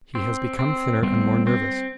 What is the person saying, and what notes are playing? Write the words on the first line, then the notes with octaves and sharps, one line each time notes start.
He has become thinner and more nervous.
C4
C4
G3 B3 C4
C4